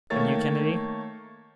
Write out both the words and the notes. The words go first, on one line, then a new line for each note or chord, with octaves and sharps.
"And you, Kennedy?"
D#3 A3 A#3 C#5 A6